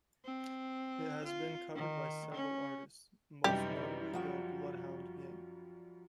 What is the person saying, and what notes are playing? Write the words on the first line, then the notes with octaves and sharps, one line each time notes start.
It has been covered by several artists, most notably the Bloodhound Gang.
C4
F4
D#3
C#4
F#2 C3 E3 G3 D#4 G4
F3 F#4 G5